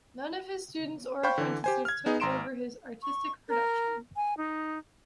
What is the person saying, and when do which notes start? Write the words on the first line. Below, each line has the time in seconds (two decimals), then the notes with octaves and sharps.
None of his students or apprentices took over his artistic production.
1.23 C5 F5 G5 B5 C#6 G6
1.38 D3 E3
1.64 G4 C5 G#5
1.85 F6 G#6
2.06 B3 D#4 G#4
2.20 G#1 A#5 C6 D7 E7
3.03 C#6
3.49 A#4
4.16 G#5
4.37 D#4